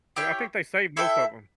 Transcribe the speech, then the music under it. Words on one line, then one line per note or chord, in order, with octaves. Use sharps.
But I think they saved most of 'em.
E4 G4 C#5 G5
E4 A4 E5 G5